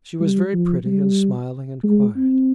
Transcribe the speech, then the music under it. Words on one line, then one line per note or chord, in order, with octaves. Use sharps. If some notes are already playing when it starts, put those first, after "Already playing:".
She was very pretty and smiling and quiet.
G3
F3
G3
G#3
C4